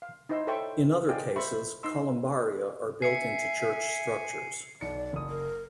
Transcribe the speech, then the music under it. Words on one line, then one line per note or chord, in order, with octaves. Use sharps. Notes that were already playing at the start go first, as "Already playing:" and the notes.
In other cases, columbaria are built into church structures.
F5
D#4 E4 C5 D#5 C6 E6
A4 C5 C#5 E5 G5 C#6
G#4 D5 D#5 F5 G5 G#5
C5 E5 B5 C#6
D#4 D#5 C6 E6
E5 G#5 C7 C#7
B1 D5 C#7
F#1 D#6
A#4